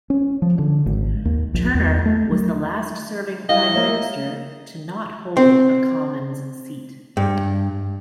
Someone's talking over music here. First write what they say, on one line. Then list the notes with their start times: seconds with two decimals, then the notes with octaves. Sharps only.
Turner was the last serving prime minister to not hold a commons seat.
0.10 C#4
0.42 F3
0.59 D3
0.86 G#1
1.25 D#2
1.54 A#1
1.75 E2
2.06 A3
2.32 F#3
3.49 G3 E4 D#5 F5
3.74 A#3 C#5 E5
5.37 C4
7.17 G2